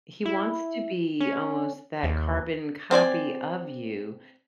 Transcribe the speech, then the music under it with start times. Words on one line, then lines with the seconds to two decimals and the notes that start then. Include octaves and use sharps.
he wants to be almost that carbon copy of you
0.25 E4
1.20 C#4
2.03 D#2
2.91 C4 C5 D5 G#5